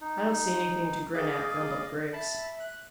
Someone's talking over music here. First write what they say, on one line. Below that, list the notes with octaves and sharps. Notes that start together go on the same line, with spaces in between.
"I don't see anything to grin at," grumbled Griggs.
D#4
G#4 D5 D#5 F5
E5 A5 B5
F#6